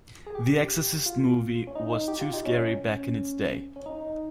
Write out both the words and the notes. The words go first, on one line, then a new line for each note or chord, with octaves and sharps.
The Exorcist movie was too scary back in its day.
G#4
G4
F4
C#4
D#4
G4
F4
D#4
C#4
C#4
D#4